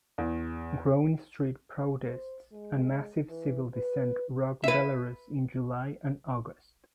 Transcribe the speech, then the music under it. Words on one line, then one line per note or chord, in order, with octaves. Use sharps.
Growing street protests and massive civil dissent rocked Belarus in July and August.
E2
C5
G#3
E3
B4
B4 E5